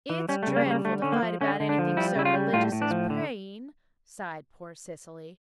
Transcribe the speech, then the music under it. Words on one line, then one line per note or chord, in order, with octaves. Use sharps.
"It's dreadful to fight about anything so religious as praying," sighed poor Cecily.
E3
G3 C#4
A3
C#3
A#3
G3 A#3
D3 A3
D3 C#4
A#3
F3
D3 C#4
D3
D4
F3
G3 E4
C#3 E4
F4
G3
A2 F4
A2
D4
F3
D3